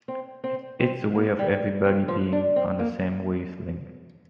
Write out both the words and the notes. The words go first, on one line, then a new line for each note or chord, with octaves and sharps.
It's a way of everybody being on the same wavelength.
C4
C4
C4
A#3
G3
C4
F3
D4
C4
A#3